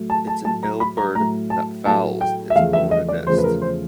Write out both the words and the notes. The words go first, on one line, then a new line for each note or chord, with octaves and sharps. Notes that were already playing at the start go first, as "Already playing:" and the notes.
It's an ill bird that fouls its own nest.
Already playing: A2 F#3 A3
A5
A5
A2 F#3 A3 A5
A#5
B5
A#5
A2 F#3 A3 A#5
A5
A2 F#3 A3 A5
G5
E5
E2 C#3 F3 A3 F5
E5
D#5
D5
E2 C#3 F3 A3 C5
B4
A#4
C5